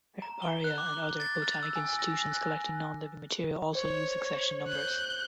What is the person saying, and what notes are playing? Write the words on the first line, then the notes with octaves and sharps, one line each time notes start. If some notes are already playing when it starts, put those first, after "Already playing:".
Herbaria and other botanic institutions collecting non living material also use accession numbers.
A#5
G7
F#6
D6
G7
A6
F6
E6
G#5
A#6
F#6
C5 C#5
F#6 G6